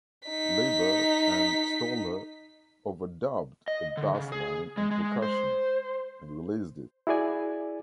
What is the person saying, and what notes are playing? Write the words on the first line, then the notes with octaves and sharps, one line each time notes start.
Leiber and Stoller overdubbed a bassline and percussion, and released it.
D#4 B6
D#5
D3
C#3
G#4
G#3
G#3
C5
E4 F#4 G#4 D5 G#5